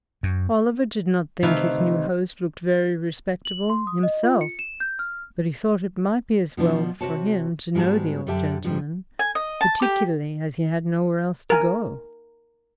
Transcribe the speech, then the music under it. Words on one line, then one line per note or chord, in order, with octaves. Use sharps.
Oliver did not think his new host looked very respectable himself, but he thought it might be as well for him to know the old gentleman, particularly as he had nowhere else to go.
F#2
C3 D#3 A3 B4 F5
F#7
C6
D#6
D#5
F4
C#7
E7
G6
F6
B2 F3 D4
C3 F#4 C#5 A5
G#2 G3 G#3 B3 F#4 A5
F#2 D3 D4 G4 E5 A5
G#2 C3 F3 G3
G#5
D#5
A5
G4
A#4 G#5